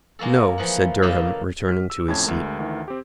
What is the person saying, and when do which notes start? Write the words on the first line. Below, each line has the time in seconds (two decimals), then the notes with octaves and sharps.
"No," said Durham, returning to his seat.
0.19 G#3 A#3 F#4 A4
0.58 E3 F3 D#5 F#5
1.02 C#3 A#3 A4 D#5 F5 B5
1.67 F6 B6
1.90 E6
2.08 F2 A2 C#4 A5 G#6
2.25 D2 G#3 A#4
2.59 D2 D#3 E3
2.88 C4 G4